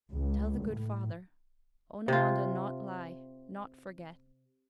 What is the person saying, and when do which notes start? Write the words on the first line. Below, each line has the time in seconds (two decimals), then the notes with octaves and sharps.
Tell the good father, Onawandah not lie, not forget.
0.11 C#2
0.67 A2
2.08 C3 F4